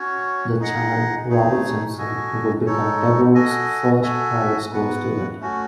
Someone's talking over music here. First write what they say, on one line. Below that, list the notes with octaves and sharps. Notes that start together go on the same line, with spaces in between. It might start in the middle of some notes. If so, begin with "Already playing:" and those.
The child, Robert Simpson, would become Devereux's first private school student.
Already playing: C#4 F#4 C#5
D#4 G#4 D#5 F#5
A3 D#4 G#4 C#5
F#4 A4 D#5 G#5
G#3 D#4 A4 C#5
F#4 A4 D#5 G#5
F#4 A4 E5 G#5
B3 F#4 B4 F#5
A3 C#4 F#4